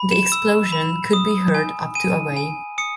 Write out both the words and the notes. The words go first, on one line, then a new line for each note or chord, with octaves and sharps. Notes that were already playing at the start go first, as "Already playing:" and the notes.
The explosion could be heard up to away.
Already playing: B5
E7
E6
B5
D#6
G#5
G#5 D#7
G#5
D#6 C#7